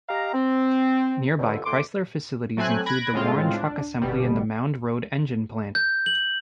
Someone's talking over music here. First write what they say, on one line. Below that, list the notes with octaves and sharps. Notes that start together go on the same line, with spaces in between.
Nearby Chrysler facilities include the Warren Truck Assembly and the Mound Road Engine plant.
G4 D#5 F5 A#5
C4
C#2 G2 D3
D2 C6 D6
F#3 A3 C4 G#5 F#6
B5 F#6 G#6 A#6 D7
A2 C#3 G#3 C4 F4
D4
G1 B2 G3
G6
F#7